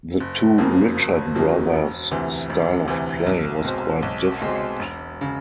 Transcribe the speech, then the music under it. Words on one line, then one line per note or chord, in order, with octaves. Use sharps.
The two Richard brothers' style of play was quite different.
F#1
F2 C#3 F#3 A#3
F#1
F2 C#3 F#3 A#3
E1
D2 C3 E3
E1
D2 C3 E3
B1
B2 G#3 C4
B1
B2 G#3 C4
E1
C#3